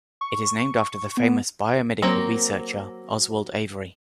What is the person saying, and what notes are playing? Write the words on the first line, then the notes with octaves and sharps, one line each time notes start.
It is named after the famous biomedical researcher Oswald Avery.
C#6
B3
F#3 A#3 C4